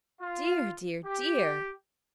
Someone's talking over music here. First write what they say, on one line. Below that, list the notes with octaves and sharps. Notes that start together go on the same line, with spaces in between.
"Dear, dear, dear!"
F4
G4